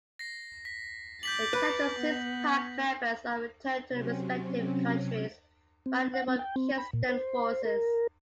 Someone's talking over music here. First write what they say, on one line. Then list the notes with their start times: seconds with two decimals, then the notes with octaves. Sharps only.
The captured Six Pack members are returned to their respective countries by Rumekistan forces.
0.19 A#6 C7
0.65 B6
1.23 D6 G6 A6 B6 F#7
1.53 B4
1.99 B3
3.90 C3 F#3 C4 C#4
5.86 C4
6.14 F#5
6.28 C4
6.39 G5
6.56 C4
6.78 B5
6.93 A#2
7.09 C5
7.65 A#4